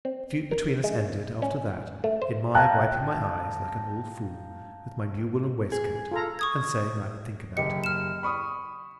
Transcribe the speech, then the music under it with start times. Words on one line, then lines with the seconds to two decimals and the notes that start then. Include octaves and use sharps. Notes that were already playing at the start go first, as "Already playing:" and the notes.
The dispute between us ended, after that, in my wiping my eyes, like an old fool, with my new woollen waistcoat, and saying I would think about it.
0.05 C4
0.51 A#4
0.84 G#3
1.42 C#4
2.04 A3
2.22 C5
2.55 F5 G5 A5 A#5 F#6
5.72 G#4
6.11 F4 A4 A#5
6.39 C#6 D#6 G#6
7.57 F#1 G4 D#5 C#7
7.84 F6 E7
8.23 B5 C#6 D#6